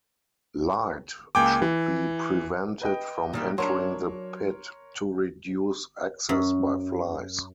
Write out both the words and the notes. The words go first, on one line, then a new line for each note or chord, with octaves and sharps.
Light should be prevented from entering the pit to reduce access by flies.
C#2 A#3 G5 G#5 D6
E3
B4 D#5 G5
A#2 D#3 G3
F#3 D4 A#4 C#5 A#5 C6
F#2